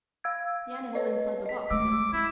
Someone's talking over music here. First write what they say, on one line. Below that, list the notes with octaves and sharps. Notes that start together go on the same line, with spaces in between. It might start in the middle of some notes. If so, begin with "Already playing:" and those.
"The animal inside the box, sir."
F5 E6 G#6
B4 C#5 D#5
D#5 B6
G#3 A3 D6 E6
C4 E4